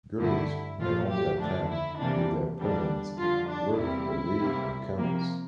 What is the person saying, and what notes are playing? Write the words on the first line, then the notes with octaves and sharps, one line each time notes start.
Girls may only attend if their parents work or live on campus.
G2 D3 A3 E4
A#2 F3 A3 F4
G4
F2 D3 F3 A3 D4
E4
C3 E3 G3 A#3 D4
E2 D3 G3 A#3 D4
F2 D3 F3 F4
D4
E2 C3 G3 A#3 E4
C3 G3 A#3
C3 F3 A#3